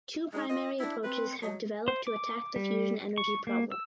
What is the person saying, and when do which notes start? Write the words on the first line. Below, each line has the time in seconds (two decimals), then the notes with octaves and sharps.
Two primary approaches have developed to attack the fusion energy problem.
0.33 G#3 D#4
0.49 F4 D#5
0.80 D4 E4
1.03 C4 B4
1.42 F#3 D#5
1.88 C5
2.07 D6
2.56 G3
3.18 C#6
3.47 A#3
3.72 E6